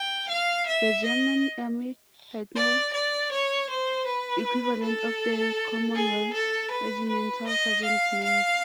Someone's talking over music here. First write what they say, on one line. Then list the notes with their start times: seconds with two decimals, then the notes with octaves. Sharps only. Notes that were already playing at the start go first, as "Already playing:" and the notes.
The German Army had no equivalent of the Commonwealth Regimental Sergeant Major.
Already playing: G5
0.29 F5
0.66 E5
1.04 D#5
2.56 D5
2.93 D5
3.32 C#5
3.70 C5
4.07 B4
4.83 A4
5.95 G#4
6.33 A4
6.71 B4
7.09 B4
7.47 D#5
7.84 F5
8.23 F5